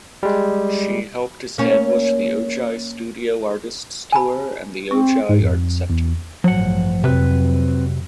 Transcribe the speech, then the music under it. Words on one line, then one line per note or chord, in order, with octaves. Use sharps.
She helped establish the Ojai Studio Artists Tour and the Ojai Art Center.
G3 G#3
A#3 C#4
G#5 A5 B5
C4 C#6
G#2
F2
E2
A1 G2 F3 F#3 F#5
F2 C3 F#3 C4 B4